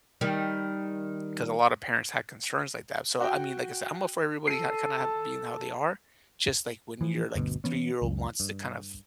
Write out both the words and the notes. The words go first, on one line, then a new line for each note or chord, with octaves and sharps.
'cause a lotta parents had concerns like that. So, I mean, like I said, I'm up for everybody ha kinda have being how they are, just, like, when your, like, three-year-old wants to kind of
D#3 G3
F#4 G5
A4 C7 D#7
A5
E3 F3
G1 D2 B2
E3 B3 C#4
C#2 F#2
G2